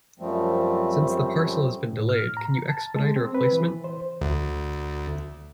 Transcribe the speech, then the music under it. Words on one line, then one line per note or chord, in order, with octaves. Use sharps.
Since the parcel has been delayed, can you expedite a replacement?
F#2 F3 G3 A3 C4
A2
F6
A#5
A5
G#3
C4
B4
E3
C5
D2